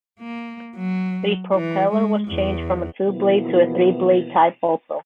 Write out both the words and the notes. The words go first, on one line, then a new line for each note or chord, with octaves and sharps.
The propeller was changed from a two-blade to three-blade type also.
A#3
F#3
E3
G#3
E2
B2 E3 F3 A#3 B3 E4